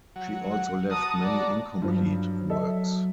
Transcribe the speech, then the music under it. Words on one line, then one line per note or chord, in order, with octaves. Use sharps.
She also left many incomplete works.
F#3
F#5
F#4 A5 A#5 D#6
D5
G2 F3 F#3
A4 D#5 E5